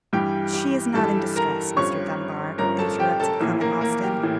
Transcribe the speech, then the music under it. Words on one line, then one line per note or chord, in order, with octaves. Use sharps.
"She is not in distress, Mr. Dunbar," interrupted Clement Austin.
G2 E3 G3 G4 G5
G4 G5
G2 E3 G3 A4 A5
A#4 A#5
G1 G2 F3 C#4 C#5 C#6
G1 G2 F3 C#4 A#4 A#5
A4 A5
G4 G5
A4 A5
A#1 A2 E3 A#3
A#3 A#4
A#3 A#4
G4
A2 E3